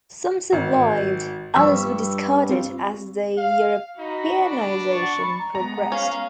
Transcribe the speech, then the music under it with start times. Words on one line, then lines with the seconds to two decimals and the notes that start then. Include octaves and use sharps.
Some survived, others were discarded as the Europeanization progressed.
0.52 G#1
1.55 G2 F3 G3 C#6 E6 B6
2.49 C4 F4
3.38 F5
3.98 D#4 F#4 B5
4.41 D4
4.92 C#6 A6
5.55 G#3 B3 A#5
5.92 C#4 F5